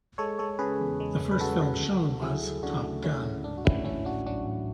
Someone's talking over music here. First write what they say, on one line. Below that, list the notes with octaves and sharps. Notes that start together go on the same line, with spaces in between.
The first film shown was "Top Gun".
G#3 A4 C#5
G#3 A4 C#5
C#3 G#4 B4
E2
G#3
G#3
B4
C#3 F#4 A4
C#3
D2
D2
F#3 E4 G#4
F#3
C#3 D4 F#4
A3
A3 C#4 E4
D2 C#4
G#2 D4
F#4
A3 C#4 E4
A1 C#4 E4
A1 D4 F#4
F#3 D4 F#4
A1